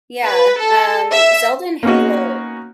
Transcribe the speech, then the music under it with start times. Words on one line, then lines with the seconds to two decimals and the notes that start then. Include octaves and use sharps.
Yeah, um, Zelda and Halo
0.23 B4
0.60 A4
1.11 E5
1.83 A#3 B3 C#4 D#4 F#4